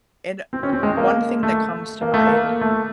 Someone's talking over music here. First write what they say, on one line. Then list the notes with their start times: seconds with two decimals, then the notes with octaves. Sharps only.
and one thing that comes to mind
0.53 C4
0.63 C#4
0.73 C4
0.83 G#3
0.97 A#3
1.43 A3
2.02 A#3
2.14 A3
2.26 A#3
2.61 A3